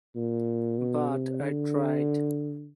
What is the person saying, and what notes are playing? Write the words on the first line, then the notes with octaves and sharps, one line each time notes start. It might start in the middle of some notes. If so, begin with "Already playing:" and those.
But I tried.
A#2
B2
C3
D3